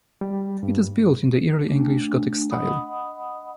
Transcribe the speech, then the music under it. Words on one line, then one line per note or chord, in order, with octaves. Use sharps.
It is built in the Early English Gothic style.
G3
G2
A3 D4
D#5 F#5 B5 D#6